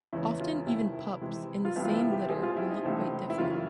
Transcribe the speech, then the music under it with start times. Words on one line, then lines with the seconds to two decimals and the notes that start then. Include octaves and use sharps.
Often even pups in the same litter will look quite different.
0.13 E2 C#3 E3 G#3 C#4 E4
0.40 F4
0.66 C2 C3 D#3 E4
1.21 C3 E3 G#3
1.65 F4
1.75 C2 C3 E3 G3 B3 E4
1.85 F4
1.94 E4
2.11 G4
2.29 B2 G3 C4 G#4
2.43 F4
2.56 E4
2.70 D#4
2.84 C#2 C3 E3 A3 C4
3.30 E4
3.38 F#2 C#3 E3 F4